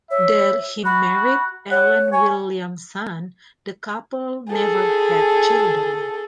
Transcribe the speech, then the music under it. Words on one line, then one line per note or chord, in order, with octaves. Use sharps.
There he married Ellen Williamson; the couple never had children.
C#5 E5
F#4 B5
C#5 F#5
C#5 G#5
G#4 A4